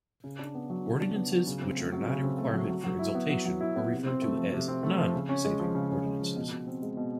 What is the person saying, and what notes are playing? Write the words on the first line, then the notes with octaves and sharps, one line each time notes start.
Ordinances which are not a requirement for exaltation are referred to as non-saving ordinances.
C#3
D4
B3
F#3
C#3
D4
B3
F#3
C#3
C4
A3
F#3
C#3
C4
A3
F#3
F#3
F#3
E4
B3
F#3
F#3
E4
B3
C3
C4
A3
F3
C3
C4
A3
F3
C#3
C#4
G#3
F3
C#3
C#4
G#3
F3
B2
B2
C4
G#3
B2